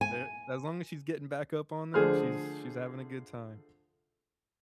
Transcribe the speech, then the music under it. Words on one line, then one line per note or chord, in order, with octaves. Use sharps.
Eh as long as she's getting back up on it, she's she's having a good time.
G#5
D3 F3 A3 G#4 C5 F6